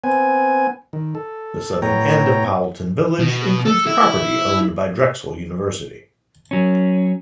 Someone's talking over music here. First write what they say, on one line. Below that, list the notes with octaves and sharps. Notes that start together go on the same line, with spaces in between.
The southern end of Powelton Village includes property owned by Drexel University.
B3 C4 G#5
D#3
A4
A2 B3 C#5 G5 A#5
B2
A4
E4
F#3 C#4